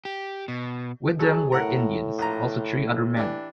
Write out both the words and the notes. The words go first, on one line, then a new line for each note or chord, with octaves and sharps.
With them were Indians, also three other men.
G4
B2
F#3 G#4 A4
A2 A#4 F#5 A#5
A#1 A#5
E3 D4 G4